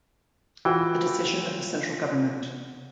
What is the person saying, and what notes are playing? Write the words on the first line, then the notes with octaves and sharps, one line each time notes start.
The decision of the Central government.
E3 F4 F#4 G5